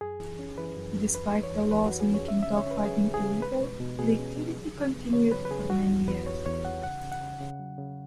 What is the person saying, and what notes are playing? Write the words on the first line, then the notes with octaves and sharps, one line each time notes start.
Despite the laws making dog fighting illegal, the activity continued for many years.
F#2 G#4
E3
C#4
E3 B4
F#2
F#2
E2 B4
E3
C#5
E2
E2 B4
E2 F#4
G#4
C#4 C#5
C#4 E5
E5
C#3
C#5
C#4 B4
F#3 G#4
C#3
G#4
C#3
G#3 B4
B2
B2
B2 G#4
C#4
B2
F#3
C#3
B3
C#3 C#5
F#3 B4
B4
C#3 G#4
E2 F#4
E2
E2 B4
E2 C#5
E2 C#5
E2 F#5
C#3 F#5
C#3
F#5
C#3
C#3
F#3
C#3